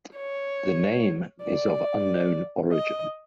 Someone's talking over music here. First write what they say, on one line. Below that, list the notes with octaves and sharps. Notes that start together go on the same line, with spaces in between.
The name is of unknown origin.
C#5
D5
D#5